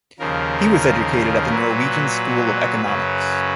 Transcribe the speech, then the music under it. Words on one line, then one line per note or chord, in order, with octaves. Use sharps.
He was educated at the Norwegian School of Economics.
D#2 C#3 F3 A#4
A#2 F#3 B4
F#2 C#3 F#3